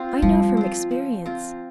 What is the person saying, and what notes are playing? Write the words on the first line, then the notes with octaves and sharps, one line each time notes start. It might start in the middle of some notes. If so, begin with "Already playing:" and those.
"I know from experience."
Already playing: C4 F4
F3 G3
C4 F4
F3
C4 F4